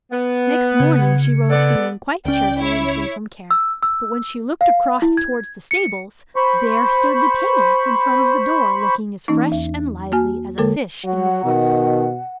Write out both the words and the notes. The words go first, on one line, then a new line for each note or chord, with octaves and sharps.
Next morning she rose feeling quite cheerful and free from care, but when she looked across towards the stables, there stood the tailor in front of the door looking as fresh and lively as a fish in the water.
B3
C#3
B3 A4 D5
C#2 C#4 D5 G5
E4 C#5
E6
E6
F5
E4
G#6
C#7
C5 B5 C#6
E3 A#3 C#4 D#4
E2
A#3 F#4 G#5
D3 G#3 A#3 A4 A#4
F#3 F#5
B2 D#3